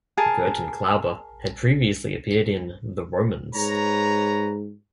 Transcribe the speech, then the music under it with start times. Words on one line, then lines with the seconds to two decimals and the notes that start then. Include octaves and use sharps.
Gertan Klauber had previously appeared in "The Romans".
0.17 G#4 A#4 A5
3.55 G#2 B4 C#5 A#5